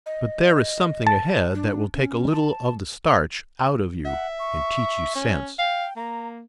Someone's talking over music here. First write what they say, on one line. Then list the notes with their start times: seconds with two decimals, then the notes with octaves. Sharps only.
But there is something ahead that will take a little of the starch out of you and teach you sense.
0.06 D#5
1.07 A5
1.55 D4
1.95 C#4
2.32 A5
4.05 E5 F#5
4.39 C#6
5.15 C#4
5.59 F5 G5
5.96 A#3 A#5